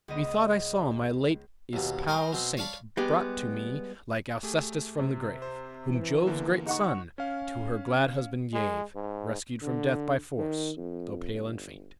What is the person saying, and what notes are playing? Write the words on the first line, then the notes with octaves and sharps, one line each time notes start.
"Methought I saw my late espoused saint Brought to me like Alcestis from the grave, Whom Jove's great son to her glad husband gave, Rescued from death by force, though pale and faint."
C#2 B3 D#5 D#6
D#2 B2
G#4 A#4 C5 D#5
B2 C4 C6
C#5 D5 F5 A5 B5
G3 G#3 B3 G4
A3 G4 G#4
C3
C5
E3
E2 D3 A#3
D#4 F#5 C#6
C#4 F5
G#3
G#2
D3
D#3
F2
G1